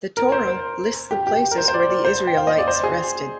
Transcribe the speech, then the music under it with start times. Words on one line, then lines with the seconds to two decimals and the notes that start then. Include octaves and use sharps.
The Torah lists the places where the Israelites rested.
0.17 A#4
0.32 C5
0.48 C5
1.11 G4
1.27 G4
1.51 A#4
1.58 C5
1.68 C5
1.74 D5
1.89 D5
2.05 C5
2.27 G5
2.37 F5
2.47 D#5
2.58 D5
2.68 C5
2.84 G#4